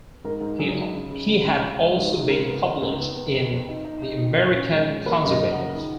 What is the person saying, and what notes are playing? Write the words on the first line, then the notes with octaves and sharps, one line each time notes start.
He had also been published in "The American Conservative".
G#2 A#4
G#2
F#3 G#4
G#2
C#3
C#3
G#3
C#2
F3
G#3
G#2
G#2
C#3 A#4
B3
B3
C#2
B3
B3
F2
F2
D#4
D#4
D#4
D#3
A#2
C#4
G#3
G#3
A#3 B4
F#2
D#5
C#3
F#5
F3
D#3